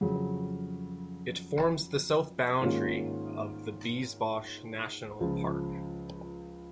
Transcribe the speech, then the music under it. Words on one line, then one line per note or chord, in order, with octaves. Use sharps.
It forms the south boundary of the Biesbosch National Park.
F2 C#3 F#3
G#2 D#3 A#3 C#4 F4
C#2 C#3 F3